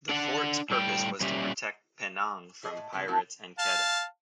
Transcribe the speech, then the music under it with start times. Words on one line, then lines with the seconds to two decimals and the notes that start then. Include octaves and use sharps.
The fort's purpose was to protect Penang from pirates and Kedah.
0.09 D4 D5 F#5
0.70 A2 G3 D4 G5
1.21 A#2 G3 C#4 G4 E5
2.63 F3 G#4 D#5
2.77 A2
2.92 C#3 E3 F#3 G3 A3 B3
3.08 E3 F3 A3 C4 E4 F#4
3.58 F5 A5